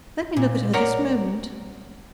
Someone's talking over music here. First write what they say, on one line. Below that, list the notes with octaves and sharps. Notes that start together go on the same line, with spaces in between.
Let me look at her this moment.
A#2
A#4 C#5 D5 F#5 A#5